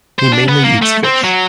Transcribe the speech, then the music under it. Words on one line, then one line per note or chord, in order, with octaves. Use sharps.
He mainly eats fish.
C5
D4
B3
A#3
A3
C4
F#3